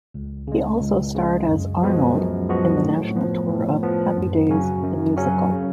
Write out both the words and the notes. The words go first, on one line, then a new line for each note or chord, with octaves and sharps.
He also starred as "Arnold" in the national tour of "Happy Days, the Musical".
C#2
C#3 G#3
C#2
C#3 G#3
F#2
F3 G#3 B3 F#4
F#2
F3 G#3 B3 F#4
A2
F3 B3
A2
F3 B3
F#2
C#3 F#3 C#4 F#4
F#2
C#3 F#3 C#4 F#4
C#3